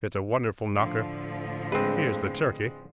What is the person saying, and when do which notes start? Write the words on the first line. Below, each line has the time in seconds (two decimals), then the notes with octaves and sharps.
It's a wonderful knocker!--Here's the turkey.
0.77 A2 D3 F3
1.72 G#3 C4 B4